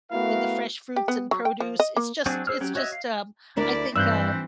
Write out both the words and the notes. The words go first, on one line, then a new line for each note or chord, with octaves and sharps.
with the fresh fruits and produce, it's just it's just, um, I think, uh,
A3 B3 E4 F#4 A#4 F5
G4
B3
F#3
G5
F3
D#5
A#3
F#3 C4 D4 F#4 G#4
G#4 C5 E6 F6
F#3 C#4 G4
F#4 C#5 D#5 E5
F5
D2 D4 E4 A#4 D5
G2 E3 C4 E6 F#6 G6